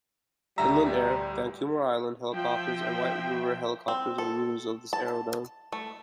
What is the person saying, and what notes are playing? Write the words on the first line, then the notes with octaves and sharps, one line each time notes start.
Inland Air, Vancouver Island Helicopters and White River Helicopters are users of this aerodrome.
D1 D2 G3 E5 A#5
F3 E5 G5
C4
A4
A5
A3